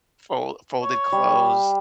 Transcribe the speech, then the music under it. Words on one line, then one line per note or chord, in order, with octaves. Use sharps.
fol folded clothes
C#5
G3